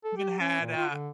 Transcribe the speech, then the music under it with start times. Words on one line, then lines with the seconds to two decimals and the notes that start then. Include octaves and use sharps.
even had a
0.04 A4
0.17 G4
0.40 C#4
0.61 A#2
0.76 F4
0.90 D3